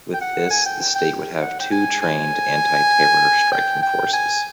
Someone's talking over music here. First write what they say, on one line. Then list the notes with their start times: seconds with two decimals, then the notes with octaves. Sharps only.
With this, the state would have two trained anti-terror striking forces.
0.14 G5
0.21 F#5
0.50 G#5
0.66 G5
0.81 G5
0.95 G5
1.41 F#5
1.60 G5
1.72 G#5
2.02 G#5
3.52 G5
3.83 G5
4.13 G#5